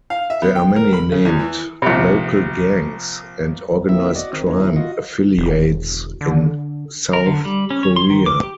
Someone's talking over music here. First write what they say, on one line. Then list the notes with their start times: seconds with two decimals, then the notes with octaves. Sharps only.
There are many named local gangs and organized crime affiliates in South Korea.
0.10 F5
0.30 E5
0.42 B3
0.55 G5
0.76 A#4
0.93 B5
1.12 C#3
1.25 E2
1.39 E3
1.82 A#1 C3
3.89 A#3 C4 E4 E5
4.15 F#4 D5 D#5
4.33 D#3 C4
4.47 E3 A#3 B3 C#4 D#4
4.60 D#3 E4
4.76 F4 F#4 D#5
5.38 E1
6.21 D3
7.13 A#4
7.26 D3
7.45 G3
7.70 C#4
7.83 C#5
7.96 C6
8.10 D#3
8.26 D6
8.43 G4